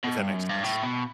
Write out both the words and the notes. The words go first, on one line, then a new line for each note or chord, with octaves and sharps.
if that makes sense.
B2
G2
F#2
G2
A2
B2